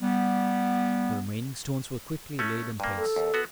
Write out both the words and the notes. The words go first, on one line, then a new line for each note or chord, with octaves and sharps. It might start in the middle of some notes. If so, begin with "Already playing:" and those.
The remaining stones were quickly laid in place.
G3 B3
A3 C#4
G2 A#3
A4
D#2
B3 F#4